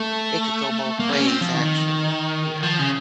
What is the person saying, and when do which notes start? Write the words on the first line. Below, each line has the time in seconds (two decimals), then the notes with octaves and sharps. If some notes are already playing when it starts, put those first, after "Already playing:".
it could go both ways actually. Yeah.
Already playing: A3
1.00 A#3
1.09 C4
1.13 C#4
1.27 C4
1.41 F3
1.54 D#3
2.63 F3
2.79 C#3